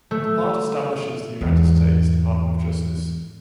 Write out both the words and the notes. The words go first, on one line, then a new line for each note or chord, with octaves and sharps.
The part establishes the United States Department of Justice.
A3
E2 G#2